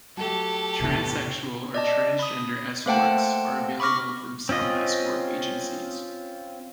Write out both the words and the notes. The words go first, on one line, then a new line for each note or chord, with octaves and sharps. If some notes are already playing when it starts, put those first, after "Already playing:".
Transsexual or transgender escorts are available from some escort agencies.
F#3 A3 G4 A4 A5
E2 A2 C3 C4
D5 D#5 A5
B5 D#6
A3 A#3 C5 F#5 G5 A5
B5 C#6 D6 F6 A#6
C4 C#4 F4 D#5